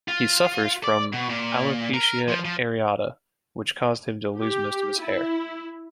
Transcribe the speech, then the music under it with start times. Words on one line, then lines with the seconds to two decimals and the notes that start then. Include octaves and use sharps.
He suffers from alopecia areata, which caused him to lose most of his hair.
0.08 F4
0.84 D5
1.13 B2
1.29 A#2
1.94 A#4
2.28 F3
2.45 F3
4.37 G4
5.00 E4